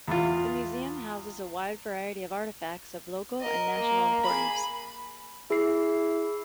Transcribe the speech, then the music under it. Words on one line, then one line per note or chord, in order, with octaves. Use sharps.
The Museum houses a wide variety of artifacts of local and national importance.
E2 F4
A#4 D#5
A#3
G#4 B5
E4 G#4 C7